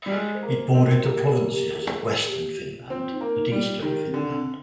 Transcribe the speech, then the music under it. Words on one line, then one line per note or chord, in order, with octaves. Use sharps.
It bordered the provinces of Western Finland and Eastern Finland.
G3
G#3 G#4
C5
A#3
A#4
C4
A#4
A#3 G4
G4
G4
G#4
A#4
G#4
G4
F4
C4 F4
D#4
A#3
D#4
G3 D#4
F4
D#3 G4
C4
D3
C4